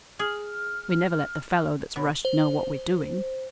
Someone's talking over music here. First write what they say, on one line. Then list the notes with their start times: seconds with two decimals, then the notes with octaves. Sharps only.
We never let the fellow that's rushed know what we're doing.
0.19 G#4 F6
1.96 B2 C#5 B5
2.25 C5